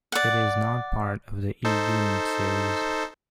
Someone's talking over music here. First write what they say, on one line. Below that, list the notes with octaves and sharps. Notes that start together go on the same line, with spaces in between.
It is not part of the E-unit series.
D5 F#5
D#4 A4 C5